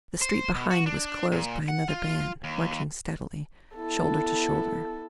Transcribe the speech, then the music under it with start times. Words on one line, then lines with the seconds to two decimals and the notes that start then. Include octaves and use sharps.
The street behind was closed by another band, marching steadily, shoulder to shoulder.
0.22 C5
0.55 B2
0.71 F#4
0.86 D4
1.32 A#2
1.68 F#5
1.88 F4
2.44 D#2
3.75 B3 E4 A4